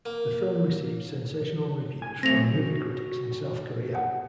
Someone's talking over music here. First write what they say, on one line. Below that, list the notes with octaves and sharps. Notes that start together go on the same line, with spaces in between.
The film received sensational reviews from movie critics in South Korea.
A#3
G#5
F#3 A3 C4 A#6 F7
F#4
F#5